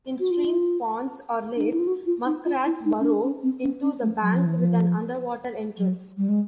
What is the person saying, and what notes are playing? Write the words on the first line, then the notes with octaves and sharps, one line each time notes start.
In streams, ponds, or lakes, muskrats burrow into the bank with an underwater entrance.
F#4
F4
D4
D#4
E4
F4
F#4
F4
D#4
F4
E4
D#4
C#4
D4
C#4
C4
C#4
C#4
A3
F#3
F3
E3
F3
F#3
G3
G#3